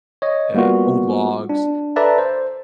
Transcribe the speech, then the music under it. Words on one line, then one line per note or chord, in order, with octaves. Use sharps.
uh, old logs,
C#5 D#5
G3 A#3 B3 F4 F#4
D4
A4 B4 D5 E5 A5 A#5
C5